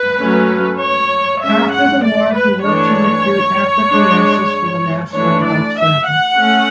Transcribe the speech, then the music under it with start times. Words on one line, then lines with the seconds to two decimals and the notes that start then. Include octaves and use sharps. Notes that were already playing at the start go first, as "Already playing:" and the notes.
After the war he worked to recruit African nurses for the National Health Service.
Already playing: B4
0.19 F#3 A3 C#4
0.81 C#5
1.43 G#3 C#4 E5
1.74 F#5
2.05 D5
2.36 B4
2.66 E3 A3 D4 C#5
3.91 G#3 D4
5.14 E3 A3 D4 C#5
5.45 D5
5.77 E5
6.07 F#5
6.38 A3 C#4